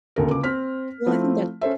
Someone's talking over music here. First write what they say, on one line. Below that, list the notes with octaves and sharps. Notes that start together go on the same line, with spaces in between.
Well, I think that
D#1 D2 A4 A#4
C#2 D6
C4 F6 B6
F3 A3 C4 E4
C#4 A4 C5 E5